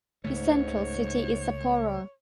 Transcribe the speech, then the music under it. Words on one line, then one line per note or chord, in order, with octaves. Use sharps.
The central city is Sapporo.
C#2 G#2 C#3 A3 C#5